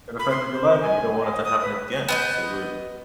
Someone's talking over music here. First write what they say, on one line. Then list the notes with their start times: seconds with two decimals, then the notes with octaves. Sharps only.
It affected your life, and you don't want it to happen again 'cause it would
0.19 B5
0.31 C6
0.53 C5
0.81 G#5
1.20 D#5
1.44 D#6
1.62 B4
2.09 B3 D#5 G6